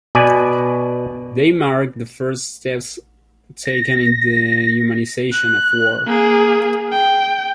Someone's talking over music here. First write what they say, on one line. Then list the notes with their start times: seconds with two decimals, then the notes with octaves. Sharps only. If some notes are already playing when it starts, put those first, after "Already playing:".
They mark the first steps taken in the humanization of war.
0.15 B2 B4 D5 G#5
3.66 A#6
5.32 F#6
6.06 A#3 G#4
6.92 G5